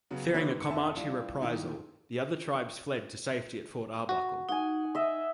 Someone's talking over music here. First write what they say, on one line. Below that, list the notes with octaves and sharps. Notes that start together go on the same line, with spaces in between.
Fearing a Comanche reprisal, the other tribes fled to safety at Fort Arbuckle.
C#3 F#3 B3
D3 D#3 A#3 F#4 B4 C#5
G#2 C#7
F1 E5 A5
G3 D4 E4 F4
A#2 D#3 F3 D#4 E4
F#4
D#4 F#5 G#5
D#5 E5